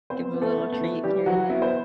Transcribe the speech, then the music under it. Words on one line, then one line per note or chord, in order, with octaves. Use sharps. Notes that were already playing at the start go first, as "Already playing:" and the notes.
Give him a little treat here and there.
B3 C4 C5
B3
A3 A4
B3
A3 A4
E3
E3 G3 G4
E3 F#3 F#4
B3 E4
C5